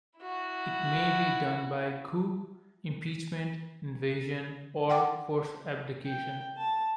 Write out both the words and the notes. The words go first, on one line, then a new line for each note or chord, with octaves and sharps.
It may be done by coup, impeachment, invasion, or forced abdication.
E4 F#4
F#5 G5 D6
G5
A5